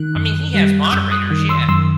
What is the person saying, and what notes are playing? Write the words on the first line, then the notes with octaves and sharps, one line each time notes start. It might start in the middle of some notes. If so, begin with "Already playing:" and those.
I mean, he has moderators. Yeah.
Already playing: D#3 F#6
F#2
G3
F#6
F#2 E6 G6
D#6 F#6
D#3
C6 E6
F#2 C6 E6